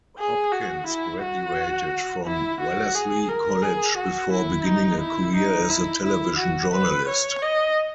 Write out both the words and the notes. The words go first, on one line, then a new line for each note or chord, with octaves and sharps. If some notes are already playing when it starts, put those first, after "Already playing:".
Hopkins graduated from Wellesley College before beginning a career as a television journalist.
G#4
F#4
E4
F#4
E4
F#4
G#4
A#4
G#4
F#4
E4
D#4
E4
D#4
E4
E4
F#4
B4
C#5
D#5